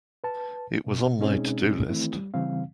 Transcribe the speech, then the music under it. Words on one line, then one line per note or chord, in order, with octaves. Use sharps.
It was on my to-do list.
B4 A5
B2
B2 G#3 C4 C#4 D#4 G#4
D#3 E3 A3 C4 E4
G3
C#3 E3 G3 C4 F5